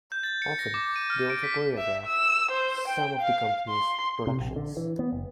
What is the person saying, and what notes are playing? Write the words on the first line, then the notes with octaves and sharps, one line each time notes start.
Often they also choreographs some of the company's productions.
G6
A6
C#7
A#6
D6
D#7
F6
D7
B6
E5
E6
C5
G5
F5
C6
C3
A#1
D3
E3
B3
F#1